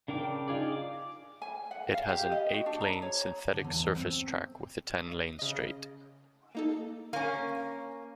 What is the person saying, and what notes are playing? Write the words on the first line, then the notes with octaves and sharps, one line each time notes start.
It has an eight-lane synthetic surface track with a ten lane straight.
C#3 D4 A#4 G5 D6
D#4 F4 G#4 D5
D6
G#5
F#5
F5
G4
D#5
F#4
D4
A#5
C#5
D3
E2
C4
C#3 D#5
A#3 D#4 A4
A#3 C#4 F5 C#6 D6